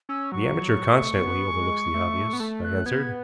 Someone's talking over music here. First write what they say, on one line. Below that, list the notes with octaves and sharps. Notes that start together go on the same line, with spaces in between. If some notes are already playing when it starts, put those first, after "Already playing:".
"The amateur constantly overlooks the obvious," I answered.
C#4 E6
F#3 C#6
F#3
A3
B3
G#3
A3
B3
A3 A5
F#6
B3 G#6